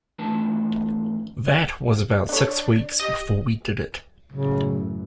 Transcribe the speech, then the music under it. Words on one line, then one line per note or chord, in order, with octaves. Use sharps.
That was about six weeks before we did it.
G#2 E3 A3 D4 B4 A5
D4 A4 C#5
D5
G4 D#5
A1 F#2 C#3 E3